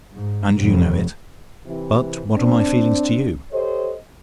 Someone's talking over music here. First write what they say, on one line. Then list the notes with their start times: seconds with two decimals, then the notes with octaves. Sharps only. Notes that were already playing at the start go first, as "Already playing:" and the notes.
And you know it; but what are my feelings to you?
0.14 G#2
0.60 F1
1.67 C3 E3
2.35 C4 D4
3.52 G4 A4 C5 C#5 D#5